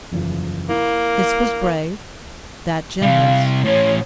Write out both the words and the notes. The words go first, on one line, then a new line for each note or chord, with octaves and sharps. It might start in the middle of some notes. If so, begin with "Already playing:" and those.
This was brave, that generous.
F#1 E2 F3
A#3 E4
C3 G3 F5
A2 C#4 C#5